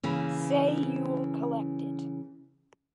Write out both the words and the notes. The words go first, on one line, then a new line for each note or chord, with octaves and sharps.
Say you’ll collect it!
C#3 E3 A#3 C#4